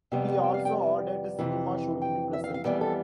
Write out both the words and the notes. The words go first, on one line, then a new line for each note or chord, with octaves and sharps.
He also ordered a cinema show to be presented.
F2 C3 G3 B3
G5
F5
G5
F2 C3 E3
G5
E5
F5
F5
F2 C3 E3 G3 B3 D5
A4